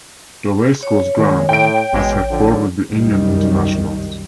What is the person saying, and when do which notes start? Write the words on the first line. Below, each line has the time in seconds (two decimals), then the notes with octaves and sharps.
The Racecourse Ground has held four rugby union internationals.
0.83 C#5
1.18 A#2 D#3 G#3
1.49 A2 G5 D7
1.93 A1 B2 G#3
2.31 D3 F3
2.89 C2 F#2 D#3 G3